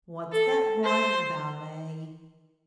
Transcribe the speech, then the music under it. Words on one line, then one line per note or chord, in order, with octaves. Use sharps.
'What's that writing about, eh?'
A4
C5